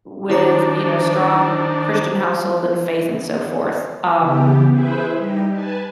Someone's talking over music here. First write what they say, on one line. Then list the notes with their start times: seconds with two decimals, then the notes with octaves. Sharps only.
with, you know, a strong Christian household and faith and so forth, um,
0.30 D#3 D4 E4 C5 A#5
4.17 C#3 E3 B3 G4
4.69 E4 G#4 B4 C5 E5
5.16 G3 D#4 G4
5.51 B4 G#5 A5